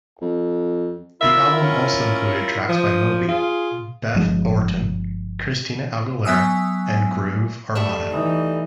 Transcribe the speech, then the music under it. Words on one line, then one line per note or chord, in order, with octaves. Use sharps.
The album also included tracks by Moby, Beth Orton, Christina Aguilera, and Groove Armada.
F2
E4 F4 A#4 E5
C#4
F3 D#6
F4 G#4
G1 F3 G#3
F#3 B3 E5 G#5 D#6 E6
G3 A3 E5
E3 D#4